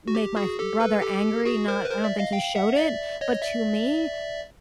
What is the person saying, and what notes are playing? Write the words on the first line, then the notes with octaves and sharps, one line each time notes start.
make my f brother angry, not I don't think he showed it, but to me,
F#4
G4
F#4 G#4
G4 A4
A4 B4
G4 A4
F#4 G#4
A#4 C5
B4
A#4 C5
D5 E5
D#5 F5
F5 G5
E5 F#5
D5 E5
C#5 D#5
D5 E5